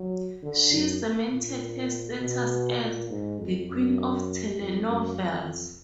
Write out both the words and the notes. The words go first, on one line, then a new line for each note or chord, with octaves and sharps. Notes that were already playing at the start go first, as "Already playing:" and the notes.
She cemented her status as "the Queen of Telenovelas".
Already playing: F#3
D3
F#2
A#2
B2
A#2
G#2
F2
F#2
F2
F#2
F2